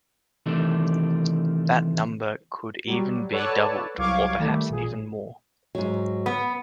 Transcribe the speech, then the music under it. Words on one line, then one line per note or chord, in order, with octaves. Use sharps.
That number could even be doubled or perhaps even more.
C3 D#3 E3 A3 D4
F#3 G3
A4 B4 C#5 D5 F#5 A5
C2 F#3 F5 C#6 D6 G#6
D#3 G3 A3
A1 A#2 G#4
G#2 F#3
B3